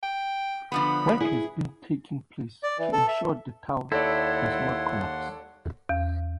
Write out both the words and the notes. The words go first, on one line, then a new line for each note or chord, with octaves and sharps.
Work has been taking place to ensure the tower does not collapse.
G5
D3 F3 B3 B5
E4 G#4
D5
E3
A4
E5
D#2 E4 A4 C#5 D5 F#5 C6
E2